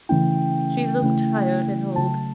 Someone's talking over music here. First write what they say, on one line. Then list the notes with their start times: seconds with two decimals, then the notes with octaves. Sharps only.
She looked tired and old.
0.09 C#3 E3 A3 C#4 E4 G5
1.02 C#3 E3 A3 C#4 E4
1.96 C#3 F#3 A3 A5